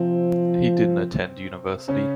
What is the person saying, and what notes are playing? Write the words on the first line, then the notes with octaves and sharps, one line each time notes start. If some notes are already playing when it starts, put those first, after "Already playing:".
He didn't attend university.
Already playing: C3 F3 C4
C#3 C#4